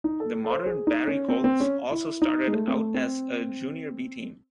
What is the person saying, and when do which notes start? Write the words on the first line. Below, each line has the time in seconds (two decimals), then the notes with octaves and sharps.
The modern Barrie Colts also started out as a Junior B team.
0.04 D#4
0.20 A4
0.45 A4
0.50 C5
0.66 G#4
0.87 D#4
1.08 C#4
1.29 C4
1.44 C4
1.60 C#4
1.91 E4
2.22 D#4
2.47 G#3
2.53 A3
2.68 C4
2.74 A3
2.94 C4